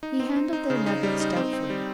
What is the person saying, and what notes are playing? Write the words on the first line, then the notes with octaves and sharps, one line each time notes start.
He handled their nuggets doubtfully.
D#4
C4
C4
D#4
C#3
D#4
G3
D#4
C4
C4
G3